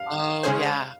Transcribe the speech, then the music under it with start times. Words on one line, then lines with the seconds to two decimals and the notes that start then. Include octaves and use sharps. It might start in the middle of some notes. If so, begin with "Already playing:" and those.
Oh, yeah.
Already playing: F5
0.43 C#3 G#3 C#4 G#4 C5